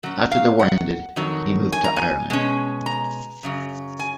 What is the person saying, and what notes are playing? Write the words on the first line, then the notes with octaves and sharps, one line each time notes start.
After the war ended, he moved to Ireland.
A#2 F#3 C#4
F5
F#5
F2 D#3 F#3
G#5
A#5
G#5
B2 G#3 C#4
A#5
F#2 C#3 F#3
G#5